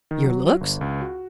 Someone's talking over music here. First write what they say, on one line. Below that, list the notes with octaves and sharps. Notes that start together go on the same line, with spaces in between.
"Your looks?"
D#3
F#3
G1
C#2
F#4